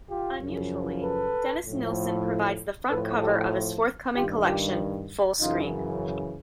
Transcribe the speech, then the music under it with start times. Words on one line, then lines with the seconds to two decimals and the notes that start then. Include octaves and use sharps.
Unusually, Dennis Nilsen provides the front cover of his forthcoming collection, "Full Screen".
0.09 F4 G4
0.41 F#2 C#3 F3
1.02 A4 B4
1.65 A2 F3
2.90 A2 F3 A4 B4
3.21 G4 A4
4.14 G2 D#3 F4 G4
4.46 F4 G4
5.39 F#2 C#3 E3 D#4 F4